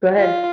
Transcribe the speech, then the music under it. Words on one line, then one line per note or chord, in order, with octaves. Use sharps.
Go ahead.
F4